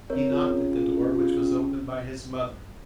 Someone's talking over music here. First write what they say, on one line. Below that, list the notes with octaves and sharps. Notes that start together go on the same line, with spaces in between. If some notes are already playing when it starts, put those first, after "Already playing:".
He knocked at the door which was opened by his mother.
C4 A#4 C#5
F4 G#4
C#4
F4 G#4
C#4
F4 G#4
C#4